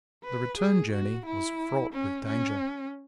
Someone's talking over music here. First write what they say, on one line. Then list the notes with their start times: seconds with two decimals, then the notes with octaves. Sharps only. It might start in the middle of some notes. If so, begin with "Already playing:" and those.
The return journey was fraught with danger.
0.24 B4
0.58 G#4
0.92 F#4
1.26 E4
1.93 C#4
2.26 C#4